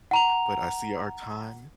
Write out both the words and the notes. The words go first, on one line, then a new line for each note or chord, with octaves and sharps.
but I see our time
F#5 A#5 F7